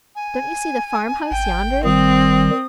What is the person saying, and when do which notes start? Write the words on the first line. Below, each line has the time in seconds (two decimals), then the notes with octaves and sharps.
Don't you see the farm-house yonder?
0.15 G#5
1.31 G#1 G5
1.84 D#3 G3 C4 D#6